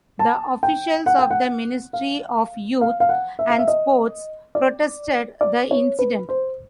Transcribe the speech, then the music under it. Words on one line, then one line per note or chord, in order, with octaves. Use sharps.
The officials of the Ministry of Youth and Sports protested the incident.
A5
G5
F#5
G5
F#5
F5
F5
F5
F#5
E5
F5
E5
D#5
D5
D5
C#5
B4
C5